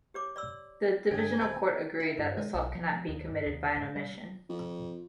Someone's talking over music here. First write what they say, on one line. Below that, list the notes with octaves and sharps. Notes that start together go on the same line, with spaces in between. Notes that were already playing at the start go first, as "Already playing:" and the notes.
The Divisional Court agreed that assault cannot be committed by an omission.
G4 C#5 D6
D5 C6 E6
G2 D3 G#3 A4 C#5 G5 G#5 D7
D#1 C4 E5 A5 B5
E4
G2
G#3
B1
F3
D#2
G2
D#2
G#2
G3
F2